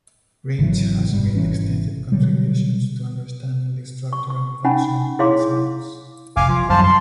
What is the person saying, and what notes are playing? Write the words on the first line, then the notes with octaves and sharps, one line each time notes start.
Ringe has made extensive contributions to understanding the structure and function of enzymes.
G#1 D#3 E3 F#3
F#1 G#2 G3
G#1 E3 C#4
B2 D3 F#3 G3
C#6
C#6
C#4 D#4 F#5 G#5 B5
E4 G#4 C#5 F5 C6 D6
F1 F5 G#5 D6
F3 F4
F#2 D#3 G3 C5 F5 A5
C6